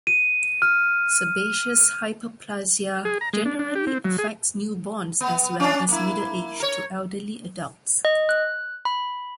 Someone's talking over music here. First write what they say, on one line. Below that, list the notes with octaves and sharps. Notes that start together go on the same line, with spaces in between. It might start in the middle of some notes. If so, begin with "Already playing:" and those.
Sebaceous hyperplasia generally affects newborns as well as middle-aged to elderly adults.
D#7
F6
G#4
A#5
G#3
D4
D4
G4
C4
F#3
G#4
B3
C#4 D4
A#3 E4
A#4 C#5
D#5
F#6
B5